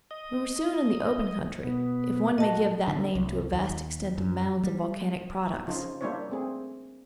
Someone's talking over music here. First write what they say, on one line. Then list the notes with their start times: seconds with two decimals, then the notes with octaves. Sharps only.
We were soon in the open country, if one may give that name to a vast extent of mounds of volcanic products.
0.11 D#5
1.64 B2 B3
2.38 A#2 F#4 D#5 A5
2.88 D3
3.15 C2
3.53 D#2
4.18 F#2
4.64 G3
5.68 C#3 F3 D#4 F4
6.01 G3 A#3 D4 E4 C5 C#5
6.30 A3 C4 G#4